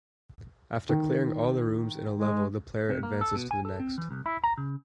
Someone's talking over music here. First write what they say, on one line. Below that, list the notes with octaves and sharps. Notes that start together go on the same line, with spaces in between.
After clearing all the rooms in a level the player advances to the next.
D#3
G#3
C3
A#3
A4
B2
G#5
A4
C4
E3
C2
E4
A#5
C#3